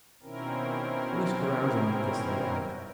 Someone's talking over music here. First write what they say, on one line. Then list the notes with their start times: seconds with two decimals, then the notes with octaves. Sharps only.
Who is carousing at this late hour?'
0.23 B2 D#3 C4 C#4 E4 A#4